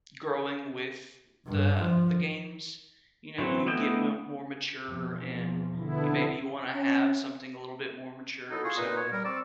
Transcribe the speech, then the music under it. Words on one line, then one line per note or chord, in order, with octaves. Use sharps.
growing with the the games. You know, you get mo more mature and you maybe you wanna have something a little bit more mature so like,
G2
F3
E3 F#3 C4
A3 B3 E4 D#5 G5
E2 B2 F3
D3 B3 E4
C#4
F#3 D#4 E4 A4
F4 G#4 C#6
A#2 D#4 B4
C#5
G3 A#4
C4 D5 C#6 E6